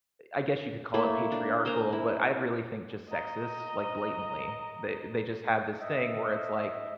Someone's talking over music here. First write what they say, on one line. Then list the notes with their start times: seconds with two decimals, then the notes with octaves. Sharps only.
I I guess you could call it patriarchal, but I really think just sexist, like, blatantly. They they just have this thing where it's like,
0.94 A3 A#3 E4 E5
1.32 D4
1.65 A#4 C5 G#5 A#5
1.93 E4
3.09 D#5 A#5
5.81 D#5 E5